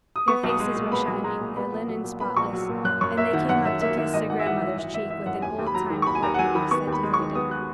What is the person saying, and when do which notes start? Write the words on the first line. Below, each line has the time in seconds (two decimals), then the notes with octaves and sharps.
Their faces were shining, their linen spotless, and they came up to kiss their grandmother's cheek with an old-time courtliness that delighted her.
0.16 D#6
0.28 B3 C#6
0.43 B1
0.49 D#6
0.60 G#3
0.75 A#2
0.92 B3 B5
1.08 B1
1.24 G#3 A#5
1.40 A#2
1.56 B3 B5
1.72 A#1
1.88 F#3
2.04 A#2
2.20 B3 B5
2.36 A#1 C#6
2.53 F#3
2.69 A#2
2.85 F#2 F#6
3.01 F#2 C#6
3.17 A#3 E5
3.33 D#3 F#5
3.49 F#2 F#5
3.65 F#2 E5
3.81 A#3 E5
3.97 D#3 E5
4.13 G#1 D#5
4.30 G#1 F#5
4.39 E5
4.46 E3 F#5
4.62 F#2 E5
4.78 G#1 E5
4.94 G#1 E5
5.10 E3 E5
5.26 F#2 F#5
5.42 D#2 G#5
5.58 D#2
5.66 B5
5.74 F#3 A#5
5.90 D#3
6.02 C#6
6.06 D#2 B5
6.15 G#5
6.22 D#2 A#5
6.34 F#5
6.39 F#3 G#5
6.55 D#3 B5
6.71 B3 C#6
6.87 D#2
6.92 B5
7.03 G#3
7.14 C#6
7.19 D#3
7.35 B3 D#6
7.51 F#6